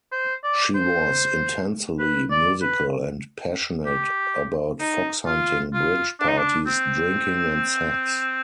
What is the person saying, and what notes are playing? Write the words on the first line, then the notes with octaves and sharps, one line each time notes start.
She was intensely musical and passionate about fox hunting, bridge, parties, drinking and sex.
C5
D5
C5
B4
D5
B4
G4
D#4
F4
F4
D4
D#4
D4
C4